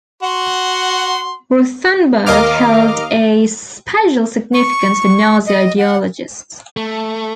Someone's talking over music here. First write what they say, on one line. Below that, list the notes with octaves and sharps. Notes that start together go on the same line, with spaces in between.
Rothenburg held a special significance for Nazi ideologists.
F#4 F#5 C6
D#2 A#4 D#5 F5 D6 F6
C#6
D#5
F#5
A3